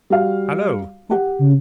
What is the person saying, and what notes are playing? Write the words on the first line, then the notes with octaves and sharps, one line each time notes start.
Hallo! Whoop!
G3 F#4 F5
G4 F#5
C#3